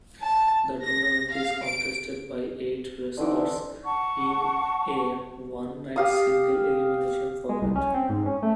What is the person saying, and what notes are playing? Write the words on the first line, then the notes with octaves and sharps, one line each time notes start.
The tournament is contested by eight wrestlers in a one-night single-elimination format.
A5
A#6
F5
D7
D3 E3 C4 D#4 D5 D6
F#5 A5 C#6
G4 F5 D#6
G#3
C2
C#4
C4
G#2
C#4
A3